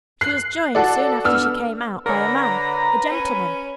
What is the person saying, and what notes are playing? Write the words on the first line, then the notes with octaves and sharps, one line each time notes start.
She was joined soon after she came out, by a man; a gentleman.
F#6 C7
F#4 A4 D5
B3 D4 E6 F6
D3 A#4 B4 C#5 A#5
C#4